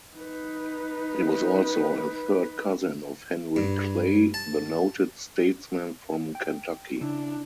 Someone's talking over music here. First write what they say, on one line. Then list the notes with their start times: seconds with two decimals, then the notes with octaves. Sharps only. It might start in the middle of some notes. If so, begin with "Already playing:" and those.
He was also a third cousin of Henry Clay, the noted statesman from Kentucky.
0.15 D#4 B4
3.56 G2
4.34 A5
6.35 G5
7.01 C#3 D4 E4